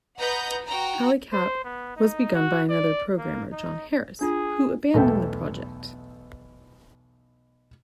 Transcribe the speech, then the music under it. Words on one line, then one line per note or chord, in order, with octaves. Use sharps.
"Alley Cat" was begun by another programmer, John Harris, who abandoned the project.
B4 D#5 F#5 A#5 G6
F#4 G5 A#5
C5
B3
D#4
F#4
D5
A#3
D#4
D4 F4 G#4
B1 E2 A3 A4 E5 G5